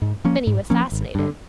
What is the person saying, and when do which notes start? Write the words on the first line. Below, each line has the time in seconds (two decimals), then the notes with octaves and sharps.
Benny was fascinated.
0.02 G#2
0.25 F3 A#3 C#4
0.47 G#2
0.70 F3 A#3 C#4
0.92 G#1
1.15 G2 D3